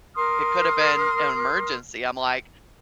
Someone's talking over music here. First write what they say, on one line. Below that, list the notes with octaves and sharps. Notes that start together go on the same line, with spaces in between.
It could have been an emergency," I'm like,
A#4 C6 D#6 F6